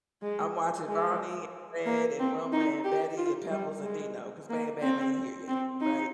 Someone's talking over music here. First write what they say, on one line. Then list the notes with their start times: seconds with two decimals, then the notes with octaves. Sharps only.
I'm watching Bonnie, and Fred, and Wilma, and Betty, and Pebbles, and Dino, 'cause Bam Bam ain't here yet, right?
0.22 G#3
0.87 G#3
1.86 A#3
2.19 C4
2.52 D#4
2.84 G4
3.17 F4
3.51 G3
3.83 G#3
4.49 A#3
4.82 C4
5.48 C4
5.81 D#4